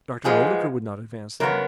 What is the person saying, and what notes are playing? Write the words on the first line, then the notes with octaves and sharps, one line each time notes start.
Dr. Oldacre would not advance them.
G#2 F3 G#3 B3 G#4
F#2 C#3 F#3 B3 A#4